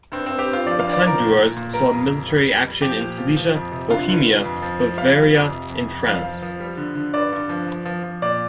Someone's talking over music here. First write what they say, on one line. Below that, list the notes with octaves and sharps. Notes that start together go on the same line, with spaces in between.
The Pandurs saw military action in Silesia, Bohemia, Bavaria and France.
G2 C4
G2 C4
G4
G2
F4
F3 D5
G2 F5
D5
F3 A#4
A#2
A#2
A#2
G3 A#4
F2
F2
G3
G3
G3
F3 G4
A#2
F3
F3
F2
C3
D3 F4
G2
G2
F2
F3
F3
G3 F5
G3
F2
C3
F2
F2
F3 F5
F3
F3
G3
D3
D3
G2 D5
G2
F3
F3
F3
F3
A#2 D5